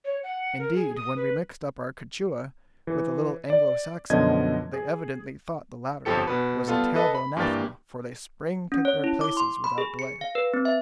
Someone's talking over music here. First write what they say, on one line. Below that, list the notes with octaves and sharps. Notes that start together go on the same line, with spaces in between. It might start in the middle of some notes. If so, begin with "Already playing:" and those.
Indeed, when we mixed up our Quichua with a little Anglo-Saxon, they evidently thought the latter was a terrible anathema, for they sprang to their places without delay.
C#5
F#5
A#4
G#4
D#6
B4
E3
D5
F#2 B2 D3 F3 D#5 G#6
G#4
G1 F2 F3 G4 A4 C#7
B2 B4
G3 B3 F4 A4
A4 B4 D#5
B5
G2 E3 A#3 G4 A6
C#4
C#5
E4
D6
C6
B5
G#4
C#7
F5
B4
C4
E5